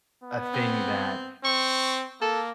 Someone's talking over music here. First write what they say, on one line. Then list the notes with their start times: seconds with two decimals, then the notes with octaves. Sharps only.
a thing that
0.24 B3
0.54 C4
1.45 C4 C#6
2.21 A#3 A4